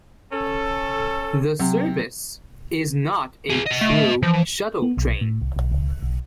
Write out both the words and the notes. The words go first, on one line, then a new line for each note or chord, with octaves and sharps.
The service is not a true shuttle train.
C#4 A4
C3 F#3
F4 G#4
B4 D#5
A3
E3 F3
B3
B1
A2
C2
B1
C#2
B1